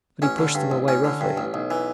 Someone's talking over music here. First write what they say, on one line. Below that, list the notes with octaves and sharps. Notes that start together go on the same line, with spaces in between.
But he pushed them away roughly.
A1 C#4
D3
G2
A1
A1 C#4
D3
G2
A1
B1
E3